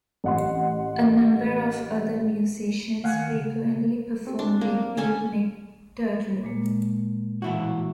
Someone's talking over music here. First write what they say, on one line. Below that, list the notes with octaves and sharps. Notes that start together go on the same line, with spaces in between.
A number of other musicians frequently perform with Beatnik Turtle.
A1 F#5 C6
D#3 F5 F#5 G#5
C#3
A3 C4 G4
D4
A#3
D3 C#4 A4 G#5
A#2 G#3 A#3
A2 E3 E4 F#4